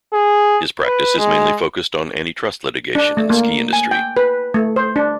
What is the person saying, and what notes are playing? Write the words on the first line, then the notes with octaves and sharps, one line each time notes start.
His practice is mainly focused on antitrust litigation in the ski industry.
G#4
B4
G#3
D4
A3
A#3
G#5
G5
B4
A3
C5
D4